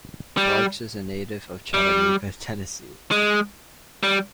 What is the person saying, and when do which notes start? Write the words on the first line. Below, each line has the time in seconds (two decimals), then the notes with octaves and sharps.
Barks is a native of Chattanooga, Tennessee.
0.37 G3
1.74 G3
3.11 G#3
4.03 G3